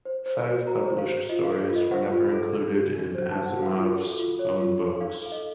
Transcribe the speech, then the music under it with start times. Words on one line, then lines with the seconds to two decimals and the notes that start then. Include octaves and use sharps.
Five published stories were never included in Asimov's own books.
0.05 C5
0.26 C5
0.47 F#4
0.67 F#4 A#5
0.88 C5
0.98 F5
1.09 C5
1.29 F4 D#5
1.44 F5
1.50 A4
1.60 F5
1.70 F4
1.76 D#5
1.91 C5 F#5
2.11 F4
2.32 A4
2.53 D#4
2.74 F#4
2.94 D#4
3.15 C5
3.31 A5
3.36 D#4
3.46 F#5
3.56 F#4
3.62 F5
3.78 F4
3.98 A4
4.19 F4
4.39 C#5
4.59 F4
4.81 A4
5.01 D#4 F5
5.22 A4 F5
5.32 D#5